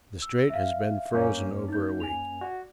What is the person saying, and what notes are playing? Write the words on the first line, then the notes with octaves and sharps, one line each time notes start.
The Strait has been frozen over a week.
E6
E5 F5
F#2 A#3 C#4 G6
D#4 G6
G#5 F7
F#4 D5